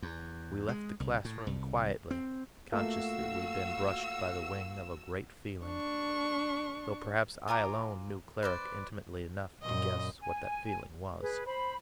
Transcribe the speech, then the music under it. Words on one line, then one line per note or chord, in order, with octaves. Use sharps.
We left the classroom quietly, conscious that we had been brushed by the wing of a great feeling, though perhaps I alone knew Cleric intimately enough to guess what that feeling was.
E2
G#3
C2
A2
C2
C4
A3 A#3 F4 F#4 F5 E6
D4 C#6
F4 G#5 A#5 D6
B4 C5 D5
F#2 A#2 D#5
G#5
G#4 B4
C5 B5